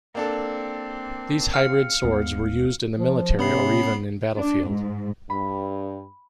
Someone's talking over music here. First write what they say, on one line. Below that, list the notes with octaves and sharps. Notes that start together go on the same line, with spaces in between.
These hybrid swords were used in the military or even in battlefield.
A#3 C4 D4 A4
F5 F6 C#7
D#2 G#3 B3
F3
C3 B3 C#4 B5 C7
D4
G#2
G2 B5